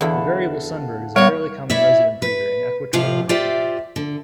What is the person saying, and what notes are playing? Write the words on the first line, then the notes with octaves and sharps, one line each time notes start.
The variable sunbird is a fairly common resident breeder in equatorial Africa.
E2 D3 E4 A4 F5 F#5
A#2 G3 B3 F#4 C#5 F5
E4 C#5 D5 E5
B4
F2 C3 F3 F4
F4 G4 C5 D5 E5
D3